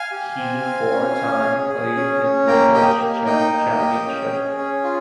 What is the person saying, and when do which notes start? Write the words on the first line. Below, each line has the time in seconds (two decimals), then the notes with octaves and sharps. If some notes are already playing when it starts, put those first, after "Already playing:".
He four time played in the Dutch Chess Championship.
Already playing: F5 G#5
0.12 G4
0.38 C4
0.64 C4
0.90 C#4
1.16 C#4
1.42 G#4
1.68 G#4
1.95 C#4
2.22 C#4
2.47 A#3 G5 A#5
2.74 G4 D#5 G5
3.00 A#3
3.26 D#4 D#5 G5
3.53 A#3
3.79 G4
4.06 C#4
4.32 G#4
4.57 C#4
4.84 F4